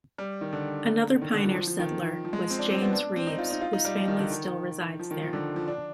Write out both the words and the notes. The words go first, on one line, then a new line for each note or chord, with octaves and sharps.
Another pioneer settler was James Reaves, whose family still resides there.
G3
D#3
D3
D#3
D3
F3
F3
F3
D#3
F3
G#3
C4
D4
C4
B3
D4
C4
D#4
F4
D#4
F4
D#4
G3
F3
D#3
D3
D#3
F3
D#3
F3
D3
F3
D4